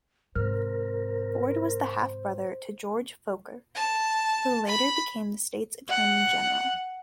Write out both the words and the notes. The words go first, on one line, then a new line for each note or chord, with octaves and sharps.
Ford was the half-brother to George Forquer, who later became the state's attorney general.
G#2 C3 A#4 C5
A5
B5
F#5